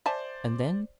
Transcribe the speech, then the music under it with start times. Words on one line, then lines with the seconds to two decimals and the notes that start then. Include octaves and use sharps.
"And then?"
0.06 C5 D5 E5 G#5 A5